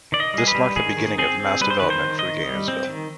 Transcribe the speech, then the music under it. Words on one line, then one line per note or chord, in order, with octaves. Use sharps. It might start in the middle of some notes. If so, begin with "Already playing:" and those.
This marked the beginning of mass-development for Gainesville.
D#3 D5
D#5
G3 G#4
B4
G3
D#3 G#4
D#3
C4 G#4
C4
G3 B4
C5
D#3 B4
C5
D#3
D#5
D#3
G3
C4
D#3